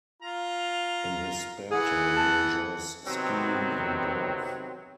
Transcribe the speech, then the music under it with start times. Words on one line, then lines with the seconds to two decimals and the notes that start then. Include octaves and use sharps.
In his spare time he enjoys skiing and golf.
0.22 F4 A#5
1.71 E3 G#4 F#5
2.17 A5
3.06 C3 D#3 F#3 B3 C4